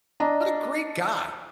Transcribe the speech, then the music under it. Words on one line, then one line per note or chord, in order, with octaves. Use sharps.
What a great guy.
D4 D#5 A#5